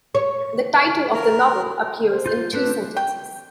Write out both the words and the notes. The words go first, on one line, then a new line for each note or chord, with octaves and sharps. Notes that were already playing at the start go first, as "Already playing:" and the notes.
The title of the novel appears in two sentences.
C#5
A#4
C5
F4 G6
A3 C4 D4 B4
G5